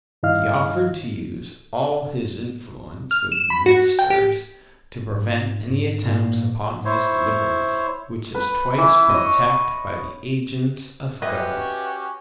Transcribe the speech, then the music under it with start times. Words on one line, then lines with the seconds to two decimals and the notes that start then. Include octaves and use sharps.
He offered to use all his influence with the ministers to prevent any attempts upon his liberty, which has twice been attacked by the agents of government.
0.23 G2 D#3 E4 D#5 F5 F6
3.11 F6
3.32 E7
3.50 B5
3.66 F#4
3.99 G5
4.10 G4
5.12 G#2
5.71 G#2
6.02 A#2
6.85 E4 C5 C#5
8.34 B4
8.78 E3 E4
9.09 C#5 D#5
11.22 C#4 F#4 G4 B4 D#5 E5